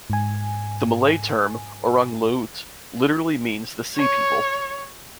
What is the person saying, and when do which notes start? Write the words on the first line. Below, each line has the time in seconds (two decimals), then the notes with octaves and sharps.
The Malay term "orang laut" literally means the sea peoples.
0.10 G#2 G#5
3.96 C#5